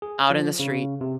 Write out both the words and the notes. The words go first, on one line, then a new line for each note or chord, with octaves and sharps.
out in the street,
G#4
F3
C#3
C3